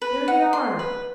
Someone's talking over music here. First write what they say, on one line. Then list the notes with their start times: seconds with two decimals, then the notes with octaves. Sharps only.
There they are...
0.02 B4
0.28 F#5
0.53 C6
0.79 B4